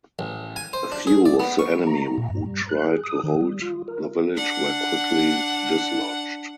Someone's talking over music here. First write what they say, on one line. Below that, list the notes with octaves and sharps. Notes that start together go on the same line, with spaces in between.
A few of the enemy who tried to hold the village were quickly dislodged.
A1
G#5
C5
D4
G#4
D5
B3
C#6
A#5
A#2
G2
G3
F#6
G#4
D#6
D#3
G3
F4
A#4
D4 F#5